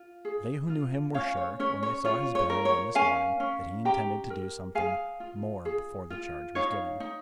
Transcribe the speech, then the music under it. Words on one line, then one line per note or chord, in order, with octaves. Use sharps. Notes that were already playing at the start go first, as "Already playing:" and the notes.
They who knew him were sure, when they saw his bearing on this morning, that he intended to do something more before the charge was given.
Already playing: F4
G#4
F4
C#4 C#5 F5
C#5
C#4 C#5
C#5
F4 C#5
C#5
A#4
C#5
C#4 F5 G#5
C#4
G4 G5 A#5
A#4
G#4 F5 G#5
F4
G#4
F4
D#4 C#5 F5
D#4